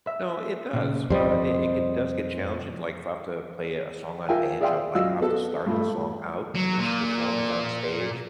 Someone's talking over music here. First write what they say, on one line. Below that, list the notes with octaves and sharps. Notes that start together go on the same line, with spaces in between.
No, it does, uh, it it get does get challenging, like, if I have to play a song on banjo, like, I have to start the song out and there's performers on stage,
E5
A#2 C#3
F2 G3 C5 D#5
F4 A#4 E5 G5 G#5
G#4 D5 E5 F5 G5 C6
F#2 F4 F#4 D#5 F5 E6
B3 F#4 A4
G2 A#2 A3
F#3
A#2